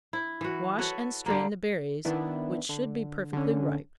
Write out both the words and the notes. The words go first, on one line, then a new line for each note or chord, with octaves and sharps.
Wash and strain the berries, which should be perfectly ripe.
E4
E3 F#4
F#4 A4 B4 C#5
D3 G3 A#3
D#3 B3 D4 E4
D3
D3 C#4